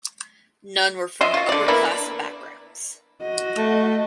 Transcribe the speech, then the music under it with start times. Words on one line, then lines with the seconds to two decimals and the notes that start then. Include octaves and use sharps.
None were from upper class backgrounds.
1.21 D#5 E5 C6
1.34 F4 F#4
1.49 D3 D5
1.68 A#3 B3 D4 E4
3.22 F#4 D#5
3.57 A3